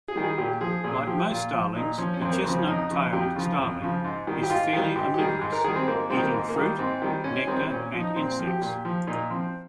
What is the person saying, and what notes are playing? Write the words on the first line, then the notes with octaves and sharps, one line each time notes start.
Like most starlings, the chestnut-tailed starling is fairly omnivorous, eating fruit, nectar and insects.
G#4
D#3 G3
G#4
A#2 G4
F3 G#4
A#2 G#4
F3 G4
A#2 F4
F3
A#2 D#4
F3 C#4
C#4
F2 C4
A#3
C#3 F3 C4
C#4
F2 D#4
C#3 F3
F2 G4
C#3 F3 F4
F2
C#3 F3
G#2
D#3 G3
G4
G#2 F4
D#3 G3
G#2 G4
G4
D#3 G3 G#4
G#2
A#4
D#3 G3 G#4
C4
G#2 A#3
D#3 G3 C4
A#3
G#2
A#3
D#3 G3
G#2 C4
D#3 G3
G#2 C#4
C#4
D#3 G3 C4
C4
A#2 C#4
F3
D#4
A#2 C4
C4
F3
G4
A#2
F3
A#2 D#4
F3 C4